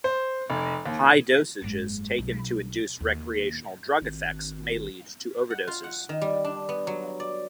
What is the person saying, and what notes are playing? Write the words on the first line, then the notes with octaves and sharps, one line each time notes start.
High dosages taken to induce recreational drug effects may lead to overdoses.
C5
F1
D#2
F#1 G#2
B1
D#2
G#1
F#5
F4
F#5
D#3
G3
D4
B3
F#3
D5